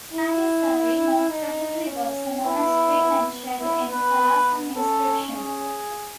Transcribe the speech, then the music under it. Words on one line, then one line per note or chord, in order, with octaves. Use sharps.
Candi Sari most probably was the monastery mentioned in Kalasan inscription.
E4
D#4
C#4
B3 E4
B3
B3 E4
B4
B3
C#4 A4
G#4